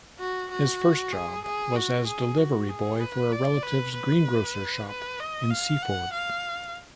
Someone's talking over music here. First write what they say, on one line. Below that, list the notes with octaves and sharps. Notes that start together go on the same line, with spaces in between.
His first job was as delivery boy for a relative's greengrocer's shop in Seaford.
F#4
F#4
G#4
G#4
F#4
G#4
F#4
G#4
B4
D5
B4
B4
B4
D#5
F5
F#5
F5